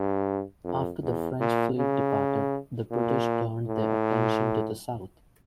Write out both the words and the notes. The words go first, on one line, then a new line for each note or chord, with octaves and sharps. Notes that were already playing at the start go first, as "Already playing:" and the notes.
After the French fleet departed, the British turned their attention to the south.
Already playing: G2
F2
E2
A#2
C#3
A#2
A2